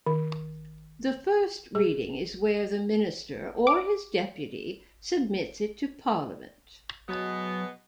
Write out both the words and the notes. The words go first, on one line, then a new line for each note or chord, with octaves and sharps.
The first reading is where the minister or his deputy submits it to Parliament.
D#3
G#4
D6
B2 F#3 G#3 B3